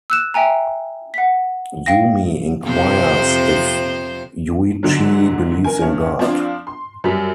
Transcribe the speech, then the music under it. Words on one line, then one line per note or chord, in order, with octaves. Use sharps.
Yumi inquires if Yuichi believes in God.
E6 F#6 E7
E5 G5 G#5 A#5
F#5 B6
F5 G5 A#6
F2 C3 C5
G#2 D3 F#3
A#4 G#5
G2 C#4
F3 C4 D4 F4
C6
F#2 G3 B6